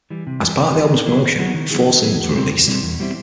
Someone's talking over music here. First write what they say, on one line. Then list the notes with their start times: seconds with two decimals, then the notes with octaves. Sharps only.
As part of the album's promotion, four singles were released.
0.10 E3 G3
0.27 C3
0.42 E3 G3
0.58 C3
0.75 E3 G3
0.90 D#3
1.06 F#3 B3 E4 G#4
1.22 D#3
1.39 F#3 B3 E4 G#4
1.54 D#3
1.71 F#3 B3 E4 G#4
1.87 D#3
2.02 F#3 B3 E4 G#4
2.19 E2
2.35 B2 G3 C4 E4
2.50 E2
2.67 B2 G3 C4 E4
2.83 E2
2.98 B2 G3 C4 E4